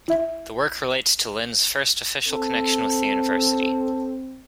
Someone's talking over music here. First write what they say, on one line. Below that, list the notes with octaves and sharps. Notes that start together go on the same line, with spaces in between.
The work relates to Lin's first official connection with the university.
E4 E5
C4 A4